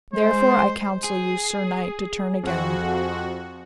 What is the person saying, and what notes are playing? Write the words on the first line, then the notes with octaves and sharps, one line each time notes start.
Therefore, I counsel you, sir knight, to turn again.
G#3 C5
G#4
F2 F#4